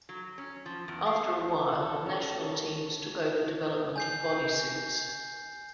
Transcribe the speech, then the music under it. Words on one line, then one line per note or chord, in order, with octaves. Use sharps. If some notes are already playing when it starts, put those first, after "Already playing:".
After a while, national teams took over development of "body suits".
F#3
C#4
F3
E2
F5
A4
C#4
G#5 G6 C7